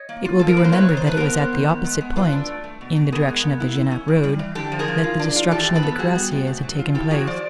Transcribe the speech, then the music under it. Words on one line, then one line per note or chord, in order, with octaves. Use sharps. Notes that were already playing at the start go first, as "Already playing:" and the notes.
It will be remembered that it was at the opposite point, in the direction of the Genappe road, that the destruction of the cuirassiers had taken place.
Already playing: C#5 D#5
A#3
F4
F3 A4
A#4
A#3 B4
C5
A3 B4 C#5
D#3
C5
A3 B4
B3 A#4 C5
B3
D#3
B3
G#3
B3
F4 A4 B4
D4
A3
A3
B2
B2
B3 G#4 A#4
G#3
B3
E4
E4
C#4
A2
G3
E3
D3 G4 A4
F3
G#4 A#4
F3
F4
D4
F4
E3 G4 A4
E3
A4 B4
B3
G3 F#4 G#4
B3
C3
A3
F#3
F4
E4 G4 A4
F3 F#4 G#4
F3 C5 D5